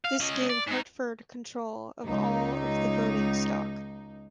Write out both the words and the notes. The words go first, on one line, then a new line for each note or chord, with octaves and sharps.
This gave Hartford control of all of the voting stock.
F5
C#4 D#5
D5
G#2 D#4
C#2 D#4